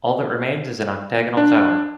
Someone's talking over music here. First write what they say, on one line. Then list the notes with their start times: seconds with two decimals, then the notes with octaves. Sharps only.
All that remains is an octagonal tower.
1.37 D4